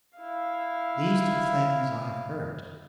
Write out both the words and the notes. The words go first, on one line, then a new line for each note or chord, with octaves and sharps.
These two things I have heard.
E4 F5